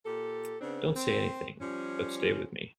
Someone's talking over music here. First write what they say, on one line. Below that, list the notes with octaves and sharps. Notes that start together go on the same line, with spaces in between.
Don’t say anything; but stay with me.
A#2 G4 A4
C#3 B3 C4 D4
C4
F3 G3 C#4